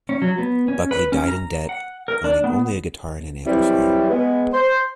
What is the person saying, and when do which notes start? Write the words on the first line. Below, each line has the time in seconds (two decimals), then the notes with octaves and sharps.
Buckley died in debt, owning only a guitar and an amplifier.
0.09 C#4
0.22 F#3
0.38 B3
0.68 C#4
0.91 B4
1.12 C#4
1.28 A#5
1.69 F#5
2.08 A#4
2.24 D4
2.44 B3
3.46 E3 F#3 G3 C4 E4
4.10 G#3 B3
4.53 C5